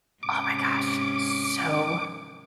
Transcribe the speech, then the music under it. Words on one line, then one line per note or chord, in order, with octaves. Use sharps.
Oh my gosh, so
G#2 C3 C#4 D6